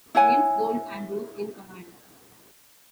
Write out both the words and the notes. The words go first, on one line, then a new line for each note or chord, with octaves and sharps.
James Gold Andrews in command.
E4 C#5 F#5 G#5